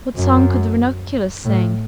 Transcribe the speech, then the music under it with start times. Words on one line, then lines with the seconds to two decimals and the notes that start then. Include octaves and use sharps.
What song could the Ranunculus sing?
0.16 F#2
1.45 A2